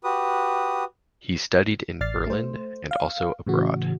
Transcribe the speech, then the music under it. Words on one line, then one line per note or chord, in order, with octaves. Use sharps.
He studied in Berlin and also abroad.
F#4 G4 B4 D#6
A1 D5 F6 A6 C7
A3 C5
F5
A2 C#3 E3 F#4